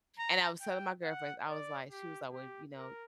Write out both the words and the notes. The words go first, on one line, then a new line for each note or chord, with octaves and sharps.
and I was telling my girlfriends. I was like she was alway you know
A#5
G5
F#5
D5
G4
G4
A#4